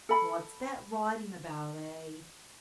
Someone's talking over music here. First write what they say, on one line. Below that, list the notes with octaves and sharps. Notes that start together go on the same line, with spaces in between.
'What's that writing about, eh?'
A4 B5